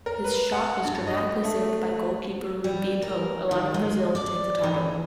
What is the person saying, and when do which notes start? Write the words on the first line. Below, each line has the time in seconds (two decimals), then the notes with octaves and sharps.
His shot was dramatically saved by goalkeeper Rubinho, allowing Brazil to take the title.
0.06 A#4
0.24 B4
0.52 F#5
0.84 G2
1.07 D#5
1.44 A3
2.64 G3
3.02 A#4
3.51 D#3
3.74 G#3
4.15 D5
4.63 E3